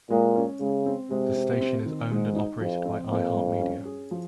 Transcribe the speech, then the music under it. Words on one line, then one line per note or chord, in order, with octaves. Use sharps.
The station is owned and operated by iHeartMedia.
A#2 G#3
C#4
C#3 G#3
C4
C3 G#3
C4
C4
D#3
G#2 G#3
D#4
F2 F3
C4
F2 A#3
G2
C#4
G#4
F3